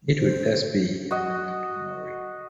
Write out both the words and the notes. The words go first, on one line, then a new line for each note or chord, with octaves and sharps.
It would thus be a "memento mori".
C5
F#4 D#5